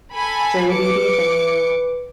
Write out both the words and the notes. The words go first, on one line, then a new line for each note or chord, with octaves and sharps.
Jury Duty, the new
A4 G#5 B5
B4 D6 C#7